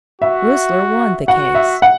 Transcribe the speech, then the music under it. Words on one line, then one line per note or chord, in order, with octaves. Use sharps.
Whistler won the case.
F#4 E5
F#4 F#5
E5
F#5